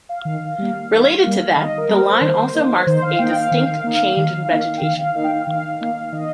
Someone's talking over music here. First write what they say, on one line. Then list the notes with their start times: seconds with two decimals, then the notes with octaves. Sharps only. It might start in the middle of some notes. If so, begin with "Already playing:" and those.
Related to that, the line also marks a distinct change in vegetation.
0.09 F5
0.25 D#3
0.58 G3 A#3
0.91 D#3
1.24 G3 A#3
1.55 D#3 D#5
1.78 A#4
1.89 G3 A#3
2.00 C5
2.21 D#3
2.53 A#3 D#4
2.87 D#3 C5
3.02 F5
3.18 A#3 D#4 G5
3.35 F5
3.51 D#3
3.84 A#3 D#4
4.16 D#3 F5
4.49 A#3 D#4
4.78 G5
4.82 D#3 F5
4.98 F5
5.15 A#3 D#4 F5
5.24 G5
5.31 F5
5.47 D#3 F5
5.80 A#3 D#4
6.12 D#3 D#5